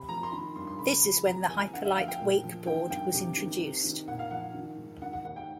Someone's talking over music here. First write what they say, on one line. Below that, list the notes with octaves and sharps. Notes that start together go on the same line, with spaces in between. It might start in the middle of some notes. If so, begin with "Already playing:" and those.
This is when the Hyperlite wakeboard was introduced.
Already playing: C3 B5
F3 A#5
C6
D#3 B5
G2 C6
C6
C#3 B5
F3 B5
C3 A#5
E3 G#5
D3 F#5
E5
F3 F5
G5
A#2
F3
D#3 G5
G2 G5
C3
D#3
C3
D#3
A#2 F#5
F5
F3 F#5
D#3
G#2
D#3 F#5
F#5
D#2 F#5
G5